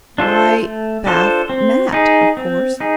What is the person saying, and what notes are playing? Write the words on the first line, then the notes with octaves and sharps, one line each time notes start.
"Why--'bath-mat,' of course."
D4 F4 A4 C5
A3
D4 F4 A4 C5
C4
D#4 G#4
C4
D#4 G#4